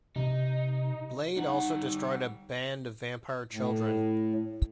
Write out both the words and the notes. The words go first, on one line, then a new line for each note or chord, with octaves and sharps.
Blade also destroyed a band of vampire children.
C3 D#4
G3 D#4 F#5
A2